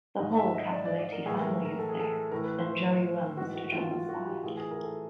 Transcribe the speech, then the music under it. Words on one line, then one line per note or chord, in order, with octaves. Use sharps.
The whole Cappelletti family is there, and Joey runs to John's side.
G#2 D#3 D#5
E5
D#5
D5
D5
D5
A#4
A2 E3 G#4
A#4
A#4
A4
G#4
A4
A2 E3 A#4
B4
C5
B4
G#2 E3 F#4
F#4
F4
F4
F#4
G4
A2 E3 G#4
G#4
A#4
A4